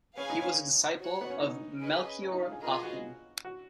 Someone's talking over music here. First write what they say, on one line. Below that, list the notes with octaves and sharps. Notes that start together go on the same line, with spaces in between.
He was a disciple of Melchior Hoffman.
C#4 G#4 B4 F5 G#5
D#4
C#4
F#4 C#5 F#5
B3
C#4
D#4
C#4 G#4 B4 D#5
C#4
D#4
F4
G#4
B3 F4 G#4 A#4 D#5
F#4
F#4